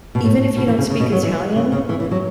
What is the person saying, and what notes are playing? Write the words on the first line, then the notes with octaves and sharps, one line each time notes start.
even if you don't speak Italian
B2
A2
B2
E3
C#3
C#3
B2
F#3
E3
C#3
C#3
E3
E3
F#3